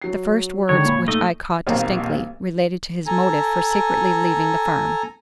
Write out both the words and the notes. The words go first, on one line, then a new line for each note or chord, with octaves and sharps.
The first words which I caught distinctly related to his motive for secretly leaving the farm.
F#3 C7
D3 D#3 G#3 C#5
A#2 B5
A3 D#4 D#5
D#1 B1 A#2 C4 A#4 F5
A4 G#5 A#5